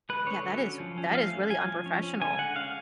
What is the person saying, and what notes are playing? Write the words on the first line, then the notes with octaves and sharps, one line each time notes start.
Yeah, that is that is really unprofessional.
G#3 B4
D3 C#5
F#3
C#4
F3
C#4
A3 F5
C#4
F3 G#5
F3
C#4
C#4
D3 G#5
G#3 F#5
C#4 F5